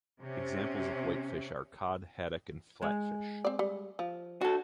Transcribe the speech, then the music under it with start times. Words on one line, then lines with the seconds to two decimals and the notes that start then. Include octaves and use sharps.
Examples of white fish are cod, haddock and flatfish.
0.22 C3 C#4
2.82 G#3
3.45 C4 D5
3.59 G3
3.99 F3
4.41 D4 F#4 A4